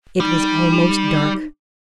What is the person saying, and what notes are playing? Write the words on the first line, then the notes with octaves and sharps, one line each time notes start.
It was almost dark.
G3 D#4